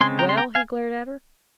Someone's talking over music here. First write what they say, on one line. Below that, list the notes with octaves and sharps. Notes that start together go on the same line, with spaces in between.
"Well?" he glared at her.
C#3 G#3 C4 G#5 C6
G5 A#5
C6
G5 A#5
F5 G#5